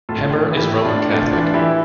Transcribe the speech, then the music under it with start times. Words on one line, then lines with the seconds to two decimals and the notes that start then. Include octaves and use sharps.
Hemmer is Roman Catholic.
0.09 A2 F4 A4
0.29 A2
0.50 E3
0.57 E4 G4
0.71 A2
0.85 D4 F4
0.91 A2
1.12 A2 D4 F4
1.33 E3 D4 F4
1.54 E3 E4 G4